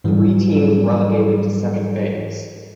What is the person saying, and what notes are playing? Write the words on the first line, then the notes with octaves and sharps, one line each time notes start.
Three teams relegated to Second Phase.
G#2 E3 F#3 G3